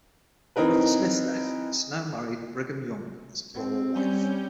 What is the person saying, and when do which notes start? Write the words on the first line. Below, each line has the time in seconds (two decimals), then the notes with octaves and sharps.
After Smith's death, Snow married Brigham Young as a plural wife.
0.56 E3 C4 D#4 A#4 B4
3.54 C4
3.95 G3 C#4 G6